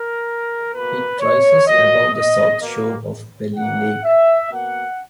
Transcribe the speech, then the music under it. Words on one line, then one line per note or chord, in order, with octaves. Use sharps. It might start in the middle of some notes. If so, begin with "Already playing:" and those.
It rises above the south shore of Pelly Lake.
Already playing: A#4
B2 A#3 B4
C#5
A#2 F#3 A#3 D#5
D#5
B2 A#3
E2 C#3 F#3 A#3 F#5
E5
B2 A#3 F#5